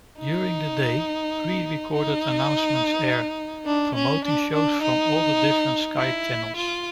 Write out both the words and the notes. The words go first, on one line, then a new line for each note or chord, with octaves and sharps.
During the day pre-recorded announcements air, promoting shows from all the different Sky channels.
D#4
D#4
D4
C#4
D4
D4
D#4
E4
F4